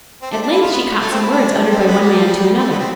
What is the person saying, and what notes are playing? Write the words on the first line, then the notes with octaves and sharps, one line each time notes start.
At length she caught some words uttered by one man to another.
C4
D4
D4
E4
F4
B3
A3
C4
E4
D4
C4
A3
B3
G3
A3
B3
C4